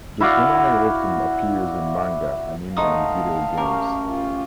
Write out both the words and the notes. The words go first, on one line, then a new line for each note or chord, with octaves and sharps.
The kunai often appears in manga, anime and video games.
E4 F#4 D5 F5
G#3 A3 D#4 F5 F#5 A5 D#6
F#2 C#4 G4 A#4
F4